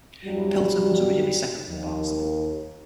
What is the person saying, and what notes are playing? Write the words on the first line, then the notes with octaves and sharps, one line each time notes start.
Pilton was originally separate from Barnstaple.
E2 G2 F#3 G3
D#2